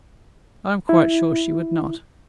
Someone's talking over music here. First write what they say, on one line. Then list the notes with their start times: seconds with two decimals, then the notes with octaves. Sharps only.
I am quite sure she would not.
0.89 E4